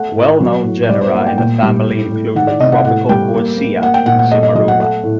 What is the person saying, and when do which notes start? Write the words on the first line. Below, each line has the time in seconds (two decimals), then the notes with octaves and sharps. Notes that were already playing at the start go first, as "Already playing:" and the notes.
Well-known genera in the family include the tropical "Quassia" and "Simarouba".
Already playing: A3 F#5
0.16 A2
0.40 F#3
0.65 A2
0.89 G3 D5
1.01 C5
1.14 A#3 F#5
1.26 G5
1.38 A#2 G5
1.63 G3
1.87 A2
2.11 A2
2.35 D#3 F#5
2.47 D5
2.60 C3 D#5
2.72 F#5
2.85 A2 F#5
3.09 G3 G5
3.34 A#3
3.58 A#3
3.82 A#3 F#5
3.94 G5
4.06 A#2 F#5
4.19 F#5
4.31 A3 D#5
4.43 D#5
4.55 F#3 D#5
4.68 F#5
4.80 A3 F#5
5.04 A2